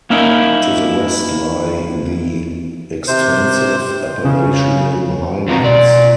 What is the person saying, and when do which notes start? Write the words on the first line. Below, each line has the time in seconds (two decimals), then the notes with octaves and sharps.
To the west lie the extensive Appalachian highlands.
0.10 A#3 C#4 D#4 E4 A#4 E5
3.08 C3 C5
4.24 C#3
5.48 F#3 C4 F4 F#4 D#5 A#5
5.60 B2 D5